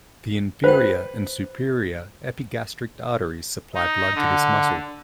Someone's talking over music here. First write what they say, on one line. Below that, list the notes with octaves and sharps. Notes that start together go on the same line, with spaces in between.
The inferior and superior epigastric arteries supply blood to this muscle.
B4 C5 G5
D#4
D3